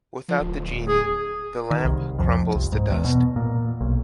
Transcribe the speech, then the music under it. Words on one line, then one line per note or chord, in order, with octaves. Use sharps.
Without the Genie, the lamp crumbles to dust.
F3
D1
G#4
D#3
C2
F2
C2
G#2
E2
B2
A#2
B1